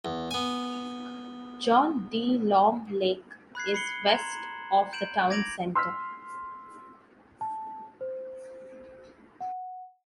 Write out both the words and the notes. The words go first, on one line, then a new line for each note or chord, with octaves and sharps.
John D. Long Lake is west of the town center.
E2
B3 G#5
B5 F#6 G#6 C7
B5 C7 C#7 G7
A#5 C6 G#6 E7 F#7
G6 D7 E7 F#7
D6 G#6 A#6 D7 F7 F#7
C6 E6 F6 B6
A5
C5
F#5